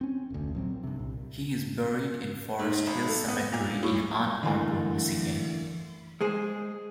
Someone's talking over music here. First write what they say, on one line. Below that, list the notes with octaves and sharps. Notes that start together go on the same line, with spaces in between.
He is buried in Forest Hill Cemetery in Ann Arbor, Michigan.
C4 C#4
F1 D2
A#1 F#3 C4
G2 C3
C2 A#2
G#2
G#1
A4
B3
A#2
A2
D3 E3 A3 A#3
G#3 G#4 C5